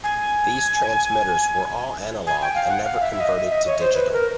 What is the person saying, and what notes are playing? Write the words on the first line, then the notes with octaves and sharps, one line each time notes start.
These transmitters were all analog and never converted to digital.
G#5
G#5
G5
F5
F#5
F5
E5
E5
D#5
E5
D#5
C#5
C5
B4
A#4